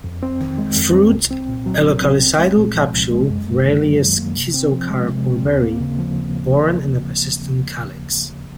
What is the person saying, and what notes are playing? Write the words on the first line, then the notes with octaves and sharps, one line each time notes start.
Fruit a loculicidal capsule, rarely a schizocarp or berry; borne in a persistent calyx.
F2
C4
D#3
G#3
F2
C4
C2
C4
A#2
F#3
C2
C4
C2
G#3
A#2
F3
C2
G#3
F#2
A#3
D#3
F#3
F#2
A#3
C3
C4
F3
G#3
C3
C4
D#2
A#3
C#3
F3